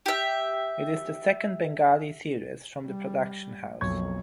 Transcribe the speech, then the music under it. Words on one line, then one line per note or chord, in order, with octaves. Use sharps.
It is the second Bengali series from the production house.
G4 E5
G3
B1 F2 A#3 C#6 G#6